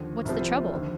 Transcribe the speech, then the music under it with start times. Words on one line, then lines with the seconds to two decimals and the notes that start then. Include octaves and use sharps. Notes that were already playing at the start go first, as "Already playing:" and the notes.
'What's the trouble?
Already playing: D#2 D3 F3
0.25 C2 C3 F3
0.71 D#2 D3 F3